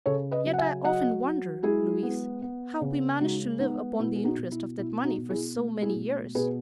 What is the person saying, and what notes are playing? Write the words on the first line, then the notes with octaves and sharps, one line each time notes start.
"Yet I often wonder, Louise, how we managed to live upon the interest of that money for so many years."
C#3 A4 C#5
B4 D#5
F#3
F#5
E5 G#5
F#3 D#5 F#5
F#3
G#3 E4 G#4
B3
B3
C#3
G#3 D#4 F#4
B3 D#4
B2 E4
G#4
D#4 F#4
B2
E4
B2 E4
D#4 F#4
B2
E4 G#4
A3
E4 G#4
B2
B2 G#4 B4